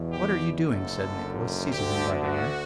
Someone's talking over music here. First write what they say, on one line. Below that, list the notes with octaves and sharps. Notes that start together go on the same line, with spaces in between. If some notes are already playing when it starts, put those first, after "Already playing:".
'What are you doing?' said Nicholas, seizing him by the arm.
Already playing: E2 B2
G4
F#1 F#2 D3 A4
D2 D3 G4
F#4